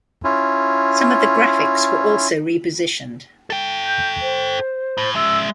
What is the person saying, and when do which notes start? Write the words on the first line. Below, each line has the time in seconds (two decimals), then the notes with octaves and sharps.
Some of the graphics were also re-positioned.
0.24 C#4 E4 F4
3.50 A4 G5
3.87 G6
4.22 C5
4.98 A2
5.15 G#3 E5 E6